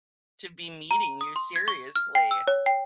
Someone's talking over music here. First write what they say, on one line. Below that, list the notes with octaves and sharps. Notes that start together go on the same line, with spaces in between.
to be meeting you seriously.
A#5
D#7
D#6
C6
G#6
C#6
F6
G5
E6
C#5
G5